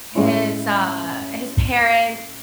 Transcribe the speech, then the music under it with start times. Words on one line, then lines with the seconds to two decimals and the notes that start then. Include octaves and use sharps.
His, uh his parent
0.15 A2 G#3 C#4 E4